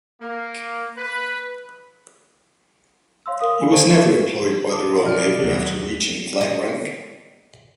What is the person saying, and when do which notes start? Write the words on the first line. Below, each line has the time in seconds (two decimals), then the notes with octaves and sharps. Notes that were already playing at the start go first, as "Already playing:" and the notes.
He was never employed by the Royal Navy after reaching flag rank.
0.21 A#3
0.97 B4
3.26 C#5 F5 C6 E6
3.40 A#4 F5 D#6
3.59 F5 G#5 B5
3.72 C5 A5 C#6 D#7
4.69 A5 D6 D#6
5.02 B2 E4 D5 D#5 G5 F6
5.42 D#2 F#3
6.41 D#5